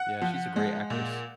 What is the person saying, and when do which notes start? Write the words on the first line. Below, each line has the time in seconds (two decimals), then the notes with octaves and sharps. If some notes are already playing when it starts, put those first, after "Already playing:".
Yeah, she's a great actress.
Already playing: F#5
0.22 F3
0.56 G#3
0.90 A#2